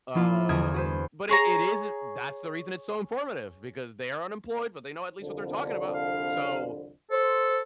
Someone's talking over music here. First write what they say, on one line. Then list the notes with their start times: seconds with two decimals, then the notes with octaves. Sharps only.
Um, but it it isn't That's the reason it's so informative, because, they are unemployed, but they know at least what they're talking about. So,
0.15 F3 A#3 E4 F4
0.49 E2 D3 A#4 E5 D#6 G#6
0.74 F#4 B4 C5
1.29 G#4 C#5 A#5
5.22 C2 F2 D3
5.94 F5
7.11 A4 C5